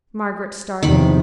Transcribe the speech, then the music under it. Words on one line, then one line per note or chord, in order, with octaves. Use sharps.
Margaret started.
E2 C3 D#3 F3 B5